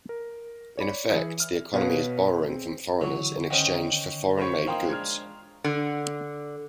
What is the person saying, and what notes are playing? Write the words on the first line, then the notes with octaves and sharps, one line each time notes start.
In effect, the economy is borrowing from foreigners in exchange for foreign-made goods.
A#4
C#5 D5 B5 C#7
E3 G#4 E5
F6
B2 B4 C#5 F5
C4 G#4
D3 E3 F#3 C#6
D#3 C#4 C5 D#5 F#5
C5 C#5 B5
F3 A#3 D#4 F5 G5 A#5 C6 D#6
G#3 D4 F6 G#6
D3